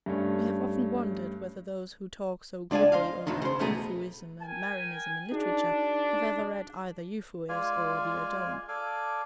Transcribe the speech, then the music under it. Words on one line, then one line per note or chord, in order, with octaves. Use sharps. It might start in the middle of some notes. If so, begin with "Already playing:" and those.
We have often wondered whether those who talk so glibly of Euphuism and Marinism in literature have ever read either Euphues or the Adone.
G2 A3 C#4
C#2 D4 D5 F5 G#5
C5 D#5 F5
E2 B2 D3 D#3
C#3 C5
E2 B2 A3 G#4 A#5
A#4 G5 G#5
D4 D#4 F#4 G#4
G#3 F4 D5 F5 G#5
A4 D5 F5 G#5 D6